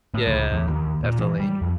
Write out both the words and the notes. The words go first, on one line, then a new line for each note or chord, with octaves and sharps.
Yeah, definitely.
A2
C#2
E2
D#2
A#2
E3
G3
F2